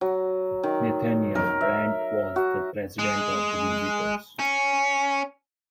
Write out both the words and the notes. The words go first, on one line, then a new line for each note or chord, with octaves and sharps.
Nathaniel Brent was the president of the visitors.
F#3
D#3
A#4
E5
F#4
G#3
C#4